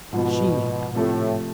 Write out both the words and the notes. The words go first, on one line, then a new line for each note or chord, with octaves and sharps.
She had created him.
G#2 B2 F3 B3
A2 C3 F3 A3